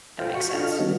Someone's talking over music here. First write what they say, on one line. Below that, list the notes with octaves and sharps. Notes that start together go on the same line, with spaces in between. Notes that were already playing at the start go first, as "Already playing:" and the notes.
That makes sense.
F4 A4 C5 F5 G5
F#4 C#6
D4 F4 A4 D#5 F6
D#3 G3 B3 C#4 F#4